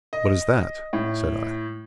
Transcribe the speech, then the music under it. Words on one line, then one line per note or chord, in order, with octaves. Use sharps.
'What is that?' said I.
D#5
A2